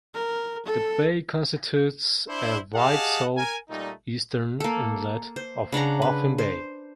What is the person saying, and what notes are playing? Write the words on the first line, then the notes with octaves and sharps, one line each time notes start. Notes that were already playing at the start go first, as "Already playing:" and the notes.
The bay constitutes a wide southeastern inlet of Baffin Bay.
A#4
A4
D4 E4 C5
G4 G#4 D#5 F5 F#5 A5
A#4 G#5
A#2 G3 A3 D#4
A#3 A4
C5
C#3 D4 F#5 A#5
B4
C5